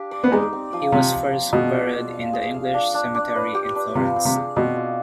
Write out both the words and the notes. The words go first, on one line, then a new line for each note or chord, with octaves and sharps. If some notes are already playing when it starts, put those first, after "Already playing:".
He was first buried in the English Cemetery in Florence.
Already playing: D4 G4 F5
D5
B3
G#3 D#4
C4
F3
C3 F3
F3
C4
B2 G#4
D4
D5
F5
G#4
F5
D4
D4
D4
B4
G4
D4
C3 F4
C4
C3
G#4
B2 C4
F4